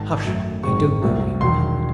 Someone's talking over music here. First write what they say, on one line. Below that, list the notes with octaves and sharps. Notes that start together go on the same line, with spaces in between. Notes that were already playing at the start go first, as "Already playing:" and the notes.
"Hush, they don't know," he replied.
Already playing: G#1 G#2 D#3 A5
F#2 D#3 F#3 A3
G#1 F#2 D#3 G#3 C4 C#6
C2 C3 F#3 A3
E1 E2 D#3 F#3 C6